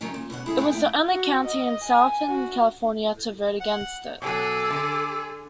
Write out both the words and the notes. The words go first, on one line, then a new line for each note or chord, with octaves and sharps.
It was the only county in Southern California to vote against it.
D#3 F#3 A3 C#4 G#5
A#2
B2 D3 C#4 F#5
E4 G#4 A4 E5
G#4 A4 C5 F#5 G5
A2 D#4 E4 G5
F#4
D#5
G#5
F#4
F#5
B2 F#3 G#4 A4 D6 E6
D3